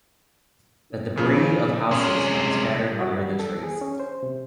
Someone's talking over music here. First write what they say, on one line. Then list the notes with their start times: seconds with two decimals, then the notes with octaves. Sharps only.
The debris of houses are scattered under the trees.
1.16 A#2 C#3 F3
1.91 C3 G#3 C#4
2.88 G3
3.01 F#4
3.19 G3
3.39 A4
3.63 G#4
3.81 C#4
4.00 C5
4.23 C3